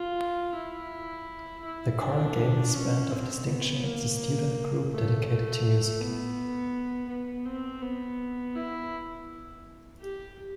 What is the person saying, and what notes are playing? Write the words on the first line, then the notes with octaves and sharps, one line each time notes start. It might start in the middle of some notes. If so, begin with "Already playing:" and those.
The Coral Gables Band of Distinction is a student group dedicated to music.
Already playing: F4
E4
E4
D4
C#4
C4
B3
A#3
A3
A3
B3
B3
C4
B3
E4
G4